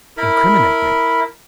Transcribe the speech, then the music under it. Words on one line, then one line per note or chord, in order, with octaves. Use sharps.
"Incriminate me?"
E4 A#4 B5